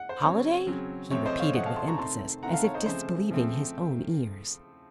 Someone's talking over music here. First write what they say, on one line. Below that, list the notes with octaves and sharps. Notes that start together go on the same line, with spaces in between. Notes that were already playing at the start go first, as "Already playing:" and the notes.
"Holiday!" he repeated, with emphasis, as if disbelieving his own ears.
Already playing: F#5
C5
C#3 F#3 C4 C#5
C#3 F#3 C4
C3 F3 A3 C4 C#5
C5 D#5
C#5 F5
C3 F3 A3 C4 D#5 F#5
F5 A5
A5 C6
A#5 C#6
C3 D#3 A3 C4 A5 C6
C3 D#3 A3 C4 F#5 A#5
F5 A5
C#5
C5 D#5
C#3 F3 A3 C4 C5
C#3 F3 A3 C4